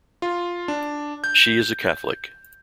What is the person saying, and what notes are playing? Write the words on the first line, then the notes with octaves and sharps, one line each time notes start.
She is a Catholic.
F4
D4
G6